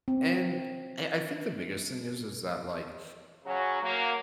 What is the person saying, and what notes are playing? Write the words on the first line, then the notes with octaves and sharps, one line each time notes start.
and I I think the biggest thing is is that, like,
C4
C#3 F#3 C#4 F#4
F#3 A#3